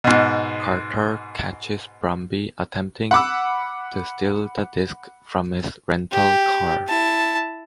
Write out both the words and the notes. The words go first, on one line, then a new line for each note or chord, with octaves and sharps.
Carter catches Brumby attempting to steal the disk from his rental car.
G#2 B2
F#5 B5 D6 E6
G4
E4 A5